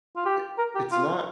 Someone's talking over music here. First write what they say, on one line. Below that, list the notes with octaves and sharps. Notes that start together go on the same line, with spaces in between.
i it's not
F4
G4
A#4
G4
F4